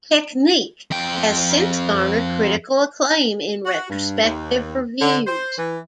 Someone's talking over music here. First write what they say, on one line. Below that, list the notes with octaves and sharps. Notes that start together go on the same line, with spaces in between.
"Technique" has since garnered critical acclaim in retrospective reviews.
F2 G5
F#4
G2
D#2
D3
C5
E3